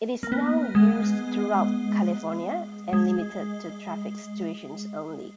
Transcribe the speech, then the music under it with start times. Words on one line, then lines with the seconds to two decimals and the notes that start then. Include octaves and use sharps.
It is now used throughout California and limited to traffic situations only.
0.23 A#3
0.32 B3
0.75 G#3
2.93 G#3